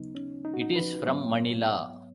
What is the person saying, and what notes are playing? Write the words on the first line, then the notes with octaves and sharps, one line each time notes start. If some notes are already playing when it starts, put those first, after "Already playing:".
It is from Manila.
Already playing: D#2 C#3 F#3 B3 D#4
C#4
D#4
F#4
D#4
B4
G#2 F#3 B3 C#5